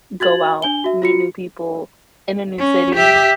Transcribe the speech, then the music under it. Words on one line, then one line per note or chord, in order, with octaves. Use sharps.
go out, meet new people in a new city,
F#4 G#6 A6 F#7
D4 G#5 G7
F#4 E5
F4 F#4 C#7
C#4
G4 E5